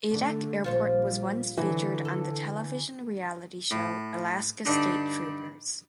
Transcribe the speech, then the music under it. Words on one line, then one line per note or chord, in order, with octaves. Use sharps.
Adak Airport was once featured on the television reality show, Alaska State Troopers.
D3 A3
A#1 G3 F4 C5 C#5
D3 E3 F#3
A4
A2
G2 D3 D4 D#4